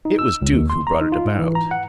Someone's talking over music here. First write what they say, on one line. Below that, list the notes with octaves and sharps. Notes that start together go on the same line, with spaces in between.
It was Duke who brought it about.
D#4
E6
C#2
D#2
C6
A#5
D#4
F4
G#2
E3
A#5
F#5